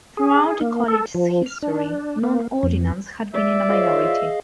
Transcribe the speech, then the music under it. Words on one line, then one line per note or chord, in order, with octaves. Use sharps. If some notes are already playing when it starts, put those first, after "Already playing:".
Throughout the college's history, non-ordinands had been in a minority.
G#4
A#3
A4
F3
F6
D4
A#3
F2
D5 E5
F4 G#4 C5 C#5 D#5 F5